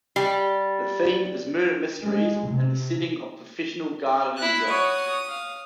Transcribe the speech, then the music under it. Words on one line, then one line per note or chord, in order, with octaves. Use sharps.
The theme is murder mysteries in the setting of professional gardening jobs.
G3
G#3
C3
E4 F#6
F#4 C#5 D#6
F5